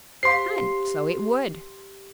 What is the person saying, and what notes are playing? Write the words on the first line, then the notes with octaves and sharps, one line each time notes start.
And so it would.
G4 C5 F5 C6 C7